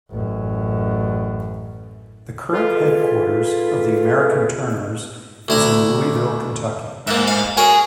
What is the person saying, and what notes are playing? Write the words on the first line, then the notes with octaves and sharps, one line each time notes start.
The current headquarters of the American Turners is in Louisville, Kentucky.
A1 F#2
F4 G#4 A4 B4
D2 E4 A#5
G#2 A#3 E5
F5
F#4 G#4 A#4 C#5 G#5